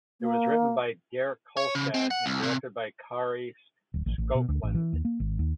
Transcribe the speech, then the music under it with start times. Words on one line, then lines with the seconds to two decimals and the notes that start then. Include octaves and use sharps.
It was written by Derek Kolstad and directed by Kari Skogland.
0.21 A#3
1.57 C#5
1.75 C#3
1.94 C4
2.11 F#5
2.26 C2
2.43 C3
3.94 D1
4.06 A1
4.18 A1
4.35 B2
4.49 D2
4.63 A1
4.75 E3
4.93 D#2
5.05 A#3
5.20 G#1
5.39 D#2